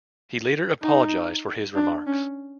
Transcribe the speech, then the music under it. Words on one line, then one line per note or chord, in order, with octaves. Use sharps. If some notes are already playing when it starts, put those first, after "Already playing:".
He later apologised for his remarks.
D#4
D4
C#4